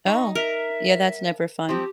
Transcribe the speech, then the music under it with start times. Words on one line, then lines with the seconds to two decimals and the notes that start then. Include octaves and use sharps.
Oh, yeah, that's never fun.
0.06 D#4 C#6
0.35 A#4 E5
1.69 F3 C4 G4